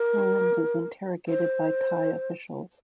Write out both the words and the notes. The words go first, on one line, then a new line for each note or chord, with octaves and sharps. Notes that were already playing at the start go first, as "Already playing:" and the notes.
Williams is interrogated by Thai officials.
Already playing: A#4
C5